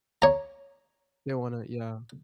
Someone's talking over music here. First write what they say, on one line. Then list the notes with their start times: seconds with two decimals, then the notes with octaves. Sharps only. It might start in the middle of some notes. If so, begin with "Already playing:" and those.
they wanna yeah.
0.22 C#5 A#5